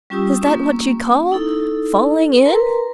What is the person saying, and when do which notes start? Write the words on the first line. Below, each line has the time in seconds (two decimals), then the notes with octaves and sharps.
"Is that what you call FALLING IN?"
0.10 G3 C#4 F4 G4 D#6 E6
0.42 A#3 C#4
1.32 D#4 E4 A4
2.45 A#4 B4 A#5 C6